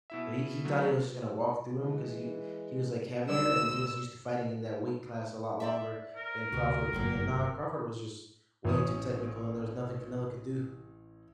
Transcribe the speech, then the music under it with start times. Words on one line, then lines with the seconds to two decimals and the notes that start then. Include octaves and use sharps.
So, he he thought he was just gonna walk through him 'cause he he was, like, heavier, and he was used to fighting in that weight class a lot longer than Crawford, but, you know, nah, Crawford was just way too technical, and there was nothing Canelo could do.
0.10 B2 E4 E5
0.64 D3 F#3 A3 F#4
1.78 E3 G#3
3.29 D2 G3 C5 D5 D#5 E6
5.60 C5 D5 E5
6.16 A#4
6.52 D2 C3 F#4 G4
6.93 G1 F#2 C3 F#3 A#3
8.65 A1 C#4 D#6